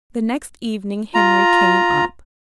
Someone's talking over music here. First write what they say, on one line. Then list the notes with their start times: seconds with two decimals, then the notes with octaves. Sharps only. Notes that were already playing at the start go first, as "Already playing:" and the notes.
The next evening Henry came up.
1.14 F4 A#5